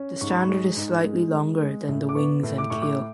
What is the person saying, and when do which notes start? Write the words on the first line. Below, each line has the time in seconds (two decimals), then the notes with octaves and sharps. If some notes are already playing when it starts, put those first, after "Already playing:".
The standard is slightly longer than the wings and keel.
Already playing: C#4
0.21 G#2 C#6
0.30 B5
0.40 C#6
0.49 G#3
0.76 G#2
1.04 G#3
1.32 G#3
1.61 G#3
1.88 A2
2.09 D6
2.15 B3 C#6
2.43 A2
2.58 D6
2.70 A2 C#6
2.82 D6